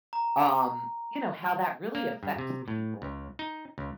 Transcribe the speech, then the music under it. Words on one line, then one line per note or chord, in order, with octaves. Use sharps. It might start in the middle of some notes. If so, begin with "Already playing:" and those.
um, you know, how that really affects people,
A#5
A#3
G2
C3
A2
C#2
D#4
C#2